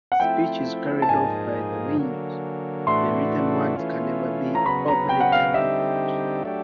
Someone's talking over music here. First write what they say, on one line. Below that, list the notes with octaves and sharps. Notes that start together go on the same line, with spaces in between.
Speech is carried off by the wind; the written word can never be obliterated.
F#5
F3 A3 C4 E4 G5
A5
G#2 F3 A#3 D#4 G#4 G#5
D3 F#3 A#3
A2 E3 A3 D4 F#4 C6
E3 A3 C#4 F4
A#5
C#3 F#3 B3 B5
A#5
G5
F#5
F5
D3 G3 C4 D#4 G4 E5
F#3 A3 D4 G4